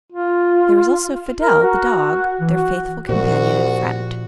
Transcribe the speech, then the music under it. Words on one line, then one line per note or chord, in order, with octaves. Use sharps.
There was also Fidel, the dog, their faithful companion and friend.
F4
A#4
F#4
E3
F#4
C2 A#2 F3 F#4